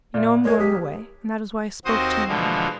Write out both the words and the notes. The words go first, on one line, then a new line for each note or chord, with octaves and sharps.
You know I'm going away, and that is why I spoke to you now.
A#2 D5 E5
G#3 G#4 A#4 C#5 G#6
B1 G4 D#6 B6
D#2 C4 F#4 C5 D#5 D#6
B2 D3 E3 F3 G#3